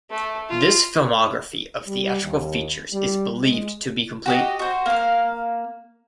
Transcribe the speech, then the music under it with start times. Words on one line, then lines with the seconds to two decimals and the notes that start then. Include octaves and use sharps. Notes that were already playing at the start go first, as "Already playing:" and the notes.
This filmography of theatrical features is believed to be complete.
0.11 A3
0.50 F4
1.87 G3
2.22 D#2
2.93 G3
3.41 G#3
4.26 F#4 G4 D#5
4.59 F#4 C5
4.86 A#3 F5